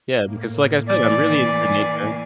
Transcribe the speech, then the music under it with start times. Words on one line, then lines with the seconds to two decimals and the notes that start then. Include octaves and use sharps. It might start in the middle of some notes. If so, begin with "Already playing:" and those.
Yeah, because like, I said, I'm really into nature.
0.20 A2 A#3
0.88 E3 D5 G#5